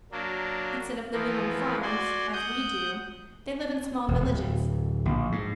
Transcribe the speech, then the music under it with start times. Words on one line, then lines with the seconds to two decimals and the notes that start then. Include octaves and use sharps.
Instead of living on farms as we do they live in small villages.
0.12 F#3 A#3 D4
1.13 E3 F3 A#3 B3
1.82 F#4 D5 G#5 C6
2.33 F#5 D#6 G6
4.08 E1
4.21 D1
5.05 A#1
5.32 G#2